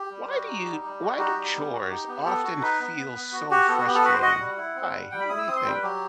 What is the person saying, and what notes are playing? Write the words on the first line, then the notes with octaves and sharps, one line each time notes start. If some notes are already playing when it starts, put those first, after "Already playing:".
why do you why do chores often feel so frustrating? Why? What do you think?
Already playing: G4
G3
F#4
D#4
G3
G3
F#4
D#4 G4
G3
B3
F#4
D#4
B3
B3 A4
F#4
D#4 B4
B3
B3
B3
F#4
F#4 G4
B3 A4
F#4
B3 G4
A4
F#4 B4
C5
F#4 D#5
F#5
G3
E4
C4
G3
G3 G5
B5
E4 D#6
E6
C4 D#6
C6
G3 G5
B4
F#3 G4